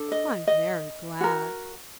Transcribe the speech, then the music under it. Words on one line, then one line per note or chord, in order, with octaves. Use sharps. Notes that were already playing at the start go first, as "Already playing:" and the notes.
I am very glad.
Already playing: D4 A4
D#5
D#5
F#4 A#4